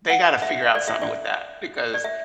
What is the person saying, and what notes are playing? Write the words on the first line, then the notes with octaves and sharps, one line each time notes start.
they gotta figure out something with that because
F#5
E5
D5
E5
D5
D5
E5